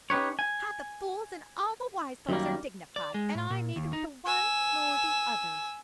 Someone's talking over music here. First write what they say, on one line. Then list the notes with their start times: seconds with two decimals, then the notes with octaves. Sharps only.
"Half the fools and all the wise folks are dignified, and I'm neither the one nor the other."
0.10 C#4 D#4 G4 B4 C#5
0.39 G#5
2.29 F#2 D#3 G3 A#3
2.96 D5
3.14 G#3
3.35 A2
3.50 A#2
3.76 D#2
3.93 D#4
4.26 G#5 E6